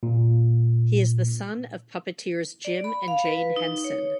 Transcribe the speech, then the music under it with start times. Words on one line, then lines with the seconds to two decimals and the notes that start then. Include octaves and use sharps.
He is the son of puppeteers Jim and Jane Henson.
0.03 A#2
2.65 D5
2.84 B5
3.08 F5
3.25 B4
3.56 D#4
3.84 C#5